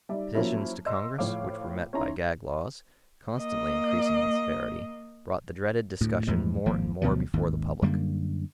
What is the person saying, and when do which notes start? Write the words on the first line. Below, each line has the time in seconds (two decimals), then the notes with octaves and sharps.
Petitions to Congress, which were met by gag-laws, constantly increasing in severity, brought the dreaded discussion more and more before the public.
0.09 G3 D#4 D5 E5
0.35 F3 F#3 A#3 C#4 E4
0.86 D#5 C6 E6
1.18 A2 F3 C#5 F5 D6
1.93 C#4 D#4 E4 A#5 C6
3.35 A#3 D#5
6.01 D2 A2
6.27 E2 A2 F3 G#3
6.66 G#1 F3 A#3
7.02 D2 B2 F3 F#3
7.33 G#1 D#2
7.82 F#2 D3 G3 A#3